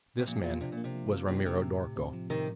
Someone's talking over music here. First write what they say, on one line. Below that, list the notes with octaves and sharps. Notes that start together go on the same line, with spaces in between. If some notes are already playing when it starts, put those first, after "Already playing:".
This man was Ramiro d'Orco.
C3
A#2 F3
A#2 F4
C3 D4
A#2
A#3
C3
F3
F4
C3 D4
C3 A#3
A2
A2
C4
F3
A2 C3 D#3